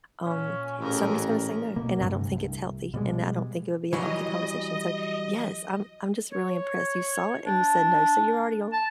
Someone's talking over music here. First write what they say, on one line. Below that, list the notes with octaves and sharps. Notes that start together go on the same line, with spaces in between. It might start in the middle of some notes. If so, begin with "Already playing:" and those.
um, so I'm just gonna say no, and I don't think it's healthy, and I don't think it would be a healthy conversation," so yes, I'm I'm just really impressed, you saw it and you said no, so you're already on
A#2 C#4
A1 F2 C#4 G#4 A#4
B2 A#3
D2 G2 C3
C2
B2 G3 G#3
E3 F#3 G3 D#5
C#5
D4
A5